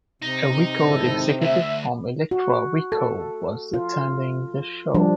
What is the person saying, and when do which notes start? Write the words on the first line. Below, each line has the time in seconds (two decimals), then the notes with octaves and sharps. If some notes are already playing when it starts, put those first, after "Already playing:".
A record executive from Elektra Records was attending the show.
0.22 C3 D#4
0.86 G#1 E4 A4
1.41 D2 E5
2.31 F#4
2.92 A4
3.74 F4
4.95 F3 G3 D4